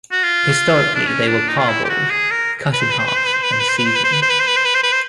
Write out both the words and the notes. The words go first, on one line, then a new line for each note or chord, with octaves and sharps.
Historically they were parboiled, cut in half, and seasoned.
F#4
F4
D4
C#4
D4
D#4
F4
E4
G4
F#4
G#4
A#4
B4
C5
B4
C5
B4
C5
B4
C5
B4
C5
B4
C5
B4
C5
B4
C5
B4
C5
B4
C5
B4
C5
B4
C5
B4
C5